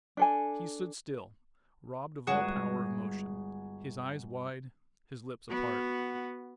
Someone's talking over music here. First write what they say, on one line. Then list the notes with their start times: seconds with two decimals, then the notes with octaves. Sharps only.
He stood still, robbed of all power of motion, his eyes wide, his lips apart.
0.17 D4 A4 G#5
2.27 G1 G#3 F#4 G#4 F#6
5.50 B3 F#4